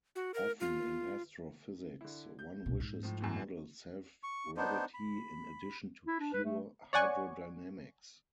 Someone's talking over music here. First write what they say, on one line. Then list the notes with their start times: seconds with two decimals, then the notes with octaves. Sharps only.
Often in astrophysics, one wishes to model self-gravity in addition to pure hydrodynamics.
0.16 F#4
0.34 A#4
0.60 F4
2.01 D3 E4
2.39 G6
2.66 C2 B2
2.80 G#2
3.03 A2 F3
3.20 F#2 A2 E3
4.23 C#6
4.57 B3 D4 D#4 C5
4.94 B5
6.07 E4
6.20 D4
6.33 B4
6.44 A3
6.93 C#5 D5 F#5 G#5 C#6